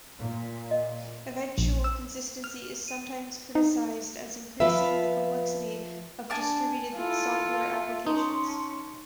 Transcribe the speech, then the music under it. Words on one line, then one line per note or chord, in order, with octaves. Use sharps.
Eventual consistency is sometimes criticized as increasing the complexity of distributed software applications.
A#2
D#5
A#1
E6
F6
D#7
D#4
F3 F4 B4 E5
D4 G#5 A5 D6
E4 F4 A4
E5
C#4 D#4 A5 C6